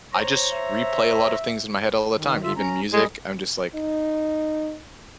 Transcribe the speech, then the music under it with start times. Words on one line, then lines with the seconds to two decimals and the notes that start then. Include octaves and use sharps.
I just replay a lot of things in my head all the time, even music, I'm just, like,
0.13 C5 C#5 A#5
0.53 E5
2.15 D#3
2.43 D3 F4 E5
2.56 C#4 A#5
2.93 G3 G#3 G#4 D#5
3.75 D#4